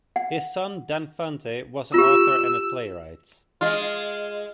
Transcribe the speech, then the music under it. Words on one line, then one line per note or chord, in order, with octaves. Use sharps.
His son Dan Fante was an author and playwright.
F#5
F4 G4 E6
G#3 F4